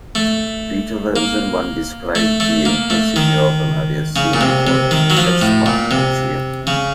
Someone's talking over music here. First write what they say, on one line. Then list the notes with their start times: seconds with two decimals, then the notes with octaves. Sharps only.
Peter Revson once described the intensity of Mairesse before a race at Spa, Belgium.
0.15 A3
1.16 A#3
2.15 A3
2.40 A3
2.65 A#3
2.90 A3
3.16 D#3
4.16 C#3
4.34 A#2
4.41 C3
4.67 C3
4.91 D#3
5.10 F#3
5.17 F3
5.42 A2
5.66 A#2
5.91 C3
6.67 C#3